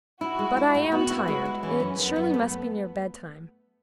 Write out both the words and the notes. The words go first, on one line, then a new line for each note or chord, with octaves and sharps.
But I am tired: it surely must be near bedtime.'
E4 F#4
G#3
E4
A2
B3 F#4
E4
G#3 F#4
E4
E3 C#4
F#2
F#2 B3
F#2
A3